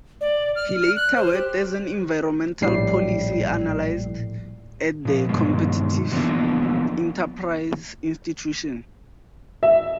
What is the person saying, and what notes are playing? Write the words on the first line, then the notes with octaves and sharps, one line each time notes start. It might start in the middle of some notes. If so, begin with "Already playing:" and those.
He later worked as an environmental policy analyst at the Competitive Enterprise Institute.
D5
F6
F6
F#6
C5
G4
A#1 A2 G3 C7
A#2 F3
G2 B2 D#3 G#3
E3 F3 A#3 B3 D4 E4
E5